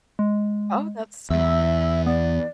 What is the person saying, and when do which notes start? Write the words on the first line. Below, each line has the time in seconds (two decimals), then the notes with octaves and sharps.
Oh, that's smart.
0.19 G#3
1.30 E2 E5 E6
2.06 B3 D5